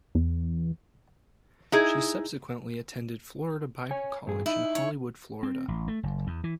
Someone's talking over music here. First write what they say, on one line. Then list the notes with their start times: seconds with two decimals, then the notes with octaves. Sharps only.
She subsequently attended Florida Bible College in Hollywood, Florida.
0.15 E2
1.72 D#4 E4 G#4
3.91 C#5 G#5
4.27 G2 G#4
4.46 D#4 E4
4.75 C#5
5.43 C4
5.68 A1
5.88 A3
6.03 F#1
6.27 E2
6.44 E3